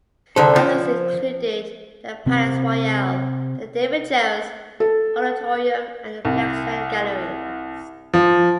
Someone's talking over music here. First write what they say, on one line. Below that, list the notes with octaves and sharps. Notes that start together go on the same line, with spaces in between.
Others included the Palais Royale, the David Jones Auditorium and the Blaxland Galleries.
C2 D3 A4 C5
F3
C3 C4
A4
C2
F3